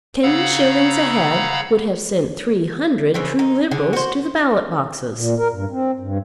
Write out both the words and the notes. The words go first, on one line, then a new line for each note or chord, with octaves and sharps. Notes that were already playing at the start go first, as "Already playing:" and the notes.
Ten shillings a head would have sent three hundred true Liberals to the ballot-boxes!
C#3 F5 F#5 A#5 B5 E6
C#3 E3 C4
D#4
D3 G#4
F#4 C5
A#2
A#4
G2
C4
G2